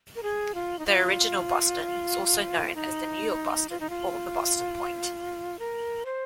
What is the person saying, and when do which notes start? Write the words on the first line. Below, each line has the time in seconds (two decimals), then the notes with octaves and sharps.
The "original" Boston is also known as the New York Boston or Boston Point.
0.16 A#4
0.23 G#4
0.54 F4
0.79 D#4
0.86 F4
2.75 D#4
3.69 F4
3.80 D#4
3.89 F4
5.59 A#4
6.05 C5